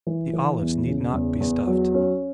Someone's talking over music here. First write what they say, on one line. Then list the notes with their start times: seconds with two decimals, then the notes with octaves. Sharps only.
The olives need not be stuffed.
0.07 E3
0.33 E3
0.60 E2
0.87 C#3
1.13 E2
1.40 E2
1.67 F#3
1.94 C#4